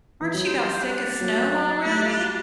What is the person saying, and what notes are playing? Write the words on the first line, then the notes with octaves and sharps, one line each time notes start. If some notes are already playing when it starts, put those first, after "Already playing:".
aren't you 'bout sick of snow already?
E3
F#3
G3 C5
D4
F#3
A3
G3